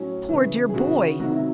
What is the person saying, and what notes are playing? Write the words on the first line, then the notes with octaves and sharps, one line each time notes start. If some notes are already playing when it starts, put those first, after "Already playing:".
Poor dear boy!
Already playing: A2 F#3 C#4
C#3 E3
G#4
C#3 E3 F#4
C3 D#3 F#3 F#4
E4